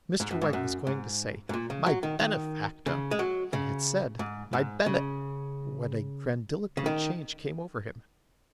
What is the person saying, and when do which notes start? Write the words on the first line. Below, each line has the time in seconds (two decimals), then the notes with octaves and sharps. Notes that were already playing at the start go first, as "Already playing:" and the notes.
Mr Wegg was going to say, My Benefactor, and had said My Bene, when a grandiloquent change came over him.
0.20 G#2
0.31 F#2
0.42 G#2
0.53 F#2
0.87 G#2
1.49 G#2
1.54 A#2
1.70 C#3
1.86 F#3
2.03 D#3
2.20 D#3
2.86 C#3
3.11 G#3
3.19 F#3
3.53 C#3
4.19 G#2
4.53 G#2
4.86 C#3
6.77 C#3
6.86 D#3